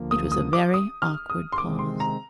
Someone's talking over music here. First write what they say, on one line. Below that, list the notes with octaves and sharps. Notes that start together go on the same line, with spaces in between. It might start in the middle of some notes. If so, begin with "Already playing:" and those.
It was a very awkward pause.
Already playing: D2 D3 F3 A#3
D#6
D#6
D6
D#6
F6
D#6
C6
C3 D#3 G#3 C4 D6
C6
A#5